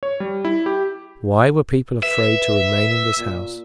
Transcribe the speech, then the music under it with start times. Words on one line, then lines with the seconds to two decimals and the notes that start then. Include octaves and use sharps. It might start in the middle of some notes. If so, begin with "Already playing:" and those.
Why were people afraid to remain in this house?
0.03 C#5
0.20 G3
0.45 E4
0.66 G4
2.03 B4 E5
3.18 A#2